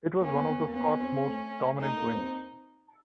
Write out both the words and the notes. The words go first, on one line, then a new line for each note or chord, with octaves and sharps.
It was one of the Scot's most dominant wins.
A#3 C#4
B3
B3
A#3
B3 C#4
C4
A3
A3 D#4
A#3
C4